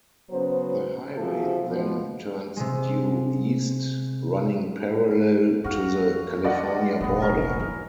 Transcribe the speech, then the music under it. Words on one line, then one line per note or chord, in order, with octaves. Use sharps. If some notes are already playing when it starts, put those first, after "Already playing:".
The highway then turns due east, running parallel to the California border.
C#3 F#3 B3 C5
C3 F3 F#4 G#4 A4
B2 F3
C3 G#3
F2 F#4 F5
D3 D5 D#5 F#5
F1 A#1 B3
C#4 A#4
F#3 E4